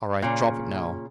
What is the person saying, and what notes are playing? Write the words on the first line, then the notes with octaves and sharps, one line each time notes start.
All right, drop it now.
A#2 C#3